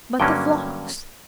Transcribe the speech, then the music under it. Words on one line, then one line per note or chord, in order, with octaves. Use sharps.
"But the flocks!"
G2 D3 F#3 A#3 C#4 G5